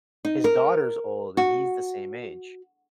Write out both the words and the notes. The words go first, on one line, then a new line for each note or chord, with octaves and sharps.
his daughter's old and he's the same age.
D#4
A#4
F#4